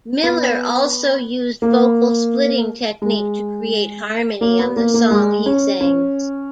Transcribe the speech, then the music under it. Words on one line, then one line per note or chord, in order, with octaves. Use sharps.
Miller also used vocal splitting technique to create harmony on the song he sings.
B3
A#3
G#3
A#3
B3
A#3
A#3
G#3
C#4
C#4